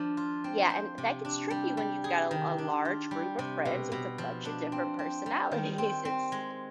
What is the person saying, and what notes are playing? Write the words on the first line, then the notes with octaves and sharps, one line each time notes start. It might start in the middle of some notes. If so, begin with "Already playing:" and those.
yeah, and that gets tricky when you've got a a large group of friends with a buncha different personalities, it's
Already playing: F3 D4
F4
C4
C5
C3
D4
G3
G3
G#4
D#3
D4
F4
G3
C3
B2
B2
F3
D4
C4
C4
G3
D#3
C4
C4
G#3